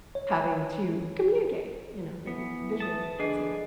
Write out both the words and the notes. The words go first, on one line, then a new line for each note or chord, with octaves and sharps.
having to communicate, you know, they visually could see it.
C#5
E3 B3
A5 D#6
D3 D4 G#4 B4 D#5 G#5 C7